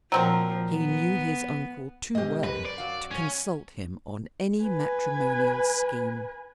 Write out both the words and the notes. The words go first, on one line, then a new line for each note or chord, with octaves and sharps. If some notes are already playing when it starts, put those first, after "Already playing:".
He knew his uncle too well to consult him on any matrimonial scheme.
A#2 F3 F#3 C4 A#4
B3
B2 G#3 G4 D#5
F#2 B4
D5
F#3 F5
C#4 C#5
B4 G#5